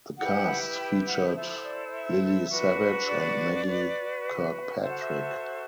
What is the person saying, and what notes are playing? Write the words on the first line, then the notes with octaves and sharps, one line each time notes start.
The cast featured Lily Savage and Maggie Kirkpatrick.
E4 G4 B4 F#5
G5
F#5
E4 A4 C5 E5
D5
D5
E5
D4 F#4 B4
D5
F#4 B4
F#4 A4 C5 E5
F#5
E5